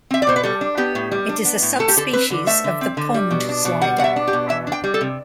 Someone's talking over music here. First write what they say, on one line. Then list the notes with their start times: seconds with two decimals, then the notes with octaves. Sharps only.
It is a subspecies of the pond slider.
0.11 C4 E5
0.22 D5
0.27 B2 C5
0.36 B4
0.43 G3 A4
0.61 D4
0.77 B3 G4
0.95 A2
1.12 G3
1.29 D4
1.45 B3
1.62 A2
1.79 A3 A4
1.88 G4
1.96 D3 A4
2.13 C4 B4
2.30 D3
2.47 A3 E5
2.64 D3
2.81 C4
2.97 D3
3.14 G3
3.31 B2
3.49 D4
3.65 B2
3.81 G3 F#5
3.98 B2 F#5
4.04 E5
4.16 D4
4.27 G4
4.33 B2
4.49 E3 E5
4.67 D4
4.72 G5
4.84 G3
4.94 A4
5.01 C3